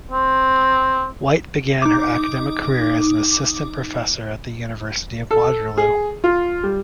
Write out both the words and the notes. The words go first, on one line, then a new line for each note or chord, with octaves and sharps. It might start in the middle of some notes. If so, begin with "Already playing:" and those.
White began her academic career as an assistant professor at the University of Waterloo.
C4
D#4 D6
A4
G#4
F4
G3